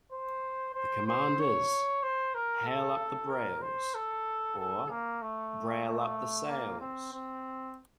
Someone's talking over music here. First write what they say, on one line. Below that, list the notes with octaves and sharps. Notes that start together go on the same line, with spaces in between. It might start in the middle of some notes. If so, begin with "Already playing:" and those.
The command is, "hale up the brails", or, "brail up the sails".
C5
C5
C5
C#5
C5
A#4
A4
A#4
C5
A4
A4
A#3
A3
A3
A#3
C4
C4